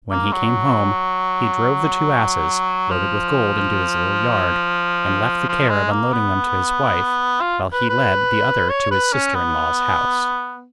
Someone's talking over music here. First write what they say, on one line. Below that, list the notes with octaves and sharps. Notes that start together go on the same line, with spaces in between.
When he came home, he drove the two asses loaded with gold into his little yard, and left the care of unloading them to his wife, while he led the other to his sister-in-law's house.
A#3
F#3
F3
F3
G#3
A#3
B3
F4
B4
B4
C#5
B4
C#4
B3